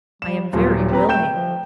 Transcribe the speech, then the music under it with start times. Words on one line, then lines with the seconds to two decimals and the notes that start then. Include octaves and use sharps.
"I am very willing."
0.22 G3 E7
0.53 D#1 F#3 F4
0.75 A#2
0.91 C4 G4 B4 A#5
1.09 A3 G5 G6 E7
1.31 F3